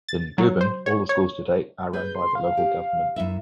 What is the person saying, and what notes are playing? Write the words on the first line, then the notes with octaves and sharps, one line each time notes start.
In Gubin, all of the schools to date are run by the local government.
A6
F#3
C5
C#5
C#5
G#4 B4 G6
C6
F5
G4
F#2 E4 E5